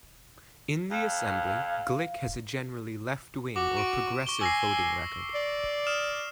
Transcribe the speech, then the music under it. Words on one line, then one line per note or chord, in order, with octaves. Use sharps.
In the Assembly, Glick has a generally left wing or progressive voting record.
F2 F5
F#4 D6
C#6 D7
C#6 G7
G#5 E6 A#6 C7
D5
D#6 F6 E7